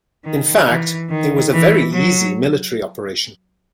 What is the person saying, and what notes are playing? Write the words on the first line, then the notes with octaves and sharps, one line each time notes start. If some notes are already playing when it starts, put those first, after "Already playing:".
In fact, it was a very easy military operation.
D#3
E3
D#3
E3
F#3